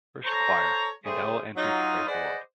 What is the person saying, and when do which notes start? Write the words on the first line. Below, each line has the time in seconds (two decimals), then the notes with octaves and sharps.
First choir: And I will enter to praise the Lord.
0.25 A4 C5 C#5 A#5
1.05 C#3 G3 A3 G#4 C5
1.56 F#3 D#4 F4
2.07 G#4 B4 C5 D5 D#5 F#5